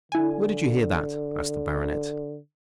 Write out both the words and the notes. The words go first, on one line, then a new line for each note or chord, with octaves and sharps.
"Where did you hear that?" asked the Baronet.
D3 E4 G#5